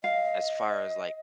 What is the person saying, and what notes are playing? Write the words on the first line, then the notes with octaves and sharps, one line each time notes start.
as far as, like,
D#5 F5